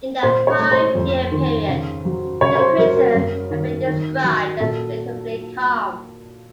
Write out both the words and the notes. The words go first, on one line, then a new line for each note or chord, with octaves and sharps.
In that five-year period, the prison had been described as relatively calm.
A#2 C5
C#5
A3
C5
F2
D#3
C#3
F#3
C#3 C#5
C#5
C5
F#3 A#4
A#4
F#2
D#3
D#3
F#3
A#2 A4